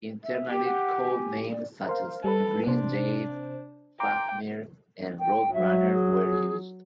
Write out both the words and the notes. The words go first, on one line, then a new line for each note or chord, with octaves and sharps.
Internally, code names such as Green Jade, Fafnir, and Roadrunner were used.
E5
G4 G5
F#5
G#5
D5
A#4 C5 F5
G3 A4 B4
C3 D4 C5
G5 A#5 C6 D6
G5
F#3 E5
G#4